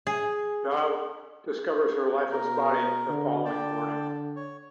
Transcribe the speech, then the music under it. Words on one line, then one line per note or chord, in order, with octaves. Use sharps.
Dov discovers her lifeless body the following morning.
G#4
B2 A#4
D3
D3 D5 G5 A5
C#5